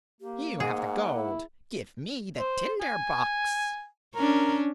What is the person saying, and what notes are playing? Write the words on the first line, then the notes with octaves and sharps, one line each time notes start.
"You have the gold, give me the tinder-box!"
A#3 G4
G#2 G#4 F#5
E4
C5
G#5
C#4 D4 A#4